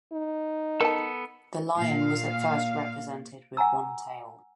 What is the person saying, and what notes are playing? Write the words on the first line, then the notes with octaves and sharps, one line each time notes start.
The lion was at first represented with one tail.
D#4
B3 A4 A#4 A5
A#2 F5
F#5 G#5 A#5 E6